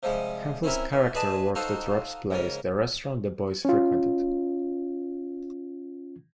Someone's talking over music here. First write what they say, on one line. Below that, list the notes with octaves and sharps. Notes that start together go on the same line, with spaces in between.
Hemphill's character worked at Rob's Place, the restaurant the boys frequented.
C3 F3 G3 G#3
C4 C#4 E4 A#4
E3
G#4 B4 D5 D#5 A5
D#4 F4 F#4 A4 C5
G#2 C#3 A#4
C#4 F4